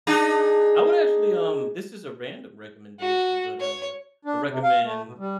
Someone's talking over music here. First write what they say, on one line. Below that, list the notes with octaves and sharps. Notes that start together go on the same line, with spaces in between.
I would actually, um this is a random recommendation, but, uh, I recommend
D4 D#4 G#4
F#4
C#5
D4
C3
F5
A3
B2
G3